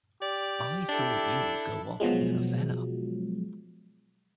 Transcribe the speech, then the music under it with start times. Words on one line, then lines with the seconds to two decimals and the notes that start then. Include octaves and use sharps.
I saw you go off with a fellah.
0.22 G4 D5
0.89 D4 E4 A4
2.00 B2 F3 F#3 G#3